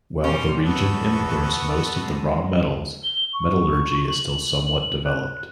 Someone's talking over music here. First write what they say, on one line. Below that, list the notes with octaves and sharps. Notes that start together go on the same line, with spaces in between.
While the region imports most of the raw metals, metallurgy is still somewhat developed.
B2 G3 C#4 G4 C6
E2 B3 F#4 A4
G#3
G7
C#6
F#7
F#6